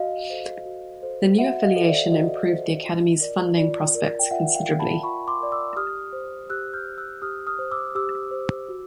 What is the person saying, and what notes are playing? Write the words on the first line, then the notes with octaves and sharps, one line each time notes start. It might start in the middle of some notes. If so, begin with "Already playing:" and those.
The new affiliation improved the Academy's funding prospects considerably.
Already playing: F#4 D#5 F5
A4 C5
F#4
A4 C5
F#4 E5 F#5
D#5 F5
A4 C5
D5 E5
F#4 D#5
A4 C5
F4
A#4 D5
F4 D5
A#4 D5
G5
F4 E5 F#5
F5 G5
A#4 D5
A5 B5
F4 B5 C#6
C6 D6
A#4 D5
D6 E6
G4 D#6 F6
C5
G4 E6 F#6
F6 G6
C5
E6 F#6
G4 D#6 F6
D#6 F6
C5
D6 E6
G4 D6 E6
C5
F#4